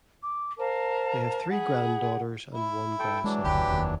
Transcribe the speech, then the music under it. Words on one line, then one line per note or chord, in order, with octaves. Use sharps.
They have three granddaughters, and one grandson.
D6
A#4 C5 F5 A5
G#4 F#5 B5
E4
A4 G5
E3 F#3 G#3 D4
F#1 D2 G4 B4
F1 D#2